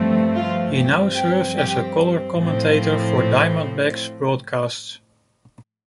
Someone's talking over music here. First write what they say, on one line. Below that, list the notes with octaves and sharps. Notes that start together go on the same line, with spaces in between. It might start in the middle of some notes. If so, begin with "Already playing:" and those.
He now serves as a color commentator for Diamondbacks broadcasts.
Already playing: G2 F3 A3 C4
F4
G2 F3 C4 G4
G4
G4
A2 F3 C4